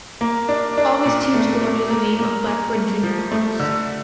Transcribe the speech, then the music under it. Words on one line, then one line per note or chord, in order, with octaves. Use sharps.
All these teams go under the name of Blackburn Junior Hawks.
A#3
D4
D4
A#2
A3
A3
A#3
A#3
A#3
A3
F3
A3
D3